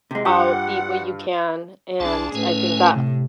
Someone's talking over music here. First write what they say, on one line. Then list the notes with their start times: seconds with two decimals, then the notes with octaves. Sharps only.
I'll eat what you can," and, I think that
0.11 C3 G#3
0.25 G2 F4 G4 F#5
2.00 C2 D4 G#4 A5
2.35 A2 C#4 B4 G#5
2.95 C3